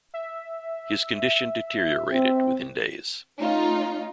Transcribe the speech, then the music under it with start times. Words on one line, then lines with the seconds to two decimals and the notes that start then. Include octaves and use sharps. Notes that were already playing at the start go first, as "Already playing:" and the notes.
His condition deteriorated within days.
0.14 E5
2.12 C4
3.40 A3 C#4 D#4 F4